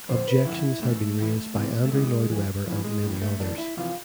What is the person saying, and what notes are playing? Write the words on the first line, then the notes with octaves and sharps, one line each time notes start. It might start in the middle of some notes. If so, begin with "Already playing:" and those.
Objections had been raised by Andrew Lloyd Webber and many others.
F2 D3 C5
B4
F2 D3 E4
A2 E3 A3
A2 E3
E2 C3 E3
A3
E2 C3 E3 G#3
F2 E3
F2 E3
G#3
A2 E3
A3
A2 E3 D4
E4
F2 C3 E3 F4